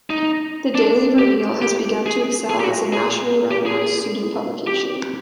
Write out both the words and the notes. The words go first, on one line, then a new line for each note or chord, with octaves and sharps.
The "Daily Reveille" has begun to excel as a nationally recognized student publication.
D#4
D4
G4
G4
G#4
G#4
G4
F#4
G#4
G4
G#4
G4